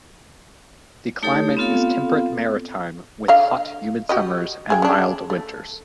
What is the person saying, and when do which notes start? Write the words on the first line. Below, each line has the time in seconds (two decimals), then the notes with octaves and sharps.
The climate is temperate maritime, with hot humid summers and mild winters.
1.23 A3 D#4 G4 A4 C#5
1.57 B3 C4 F4 A4 F5
3.28 D3 D#5 F5
4.09 F#4 G4 D#5
4.70 G#4 E5 G5
4.82 C#3 D4
5.30 A3